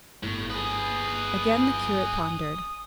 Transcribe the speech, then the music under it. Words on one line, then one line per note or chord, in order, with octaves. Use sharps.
Again the curate pondered.
G1 A2
G#4 B4 D#6